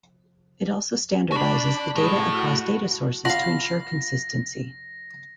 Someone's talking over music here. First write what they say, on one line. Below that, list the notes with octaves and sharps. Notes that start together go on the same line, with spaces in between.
It also standardizes the data across data sources to ensure consistency.
D4 F#4 B5
A2 G#3
F#4
D4 F4 F5 F#5 B5 A#6